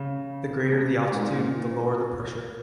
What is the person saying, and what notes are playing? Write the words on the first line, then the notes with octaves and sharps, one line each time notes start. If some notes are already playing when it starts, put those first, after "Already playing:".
The greater the altitude, the lower the pressure.
Already playing: C#3
C3
G#2
A#2